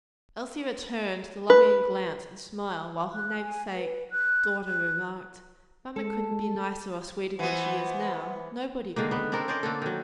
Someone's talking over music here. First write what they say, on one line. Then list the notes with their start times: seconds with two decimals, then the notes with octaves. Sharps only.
Elsie returned the loving glance and smile, while her namesake daughter remarked, "Mamma couldn't be nicer or sweeter than she is now; nobody could."
1.50 B4
3.13 F#6
3.41 G#5
3.73 B4
4.11 F#6
4.65 F#6
5.96 G#3 A4
7.39 E3 B3 C5 F#5
8.96 D3 D#3 G#3 A#3
9.11 B3 B4
9.32 C4 D4 A4 A#4
9.48 C#4 C5 D5 D#5
9.63 D3 A#3 A4
9.82 D#3 F#3